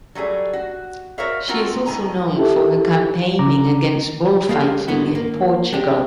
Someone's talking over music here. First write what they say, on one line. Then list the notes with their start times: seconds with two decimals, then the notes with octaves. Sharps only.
She is also known for her campaigning against bullfighting in Portugal.
0.15 F#3 G3 A3 G#4
0.53 F#4
1.18 F#4 A#4 C5 C#5 E5 F5
1.48 G#3 A3 C4 F4 F#4 A#4
1.86 A2 D#3 G#5 A#5
2.37 E4 G4 A4 E5
3.39 C#3 A#5 D6
4.49 G#3 A#3 G4 A4 F5
4.88 G#2 G3 A#3 B3 E4 F#4
5.15 A#3
5.73 G#3 D4 G4